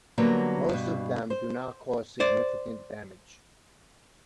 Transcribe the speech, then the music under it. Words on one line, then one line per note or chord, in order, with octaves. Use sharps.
Most of them do not cause significant damage.
D3 F#3 G3 A#3 B3
G2 B2
C5
C5 D5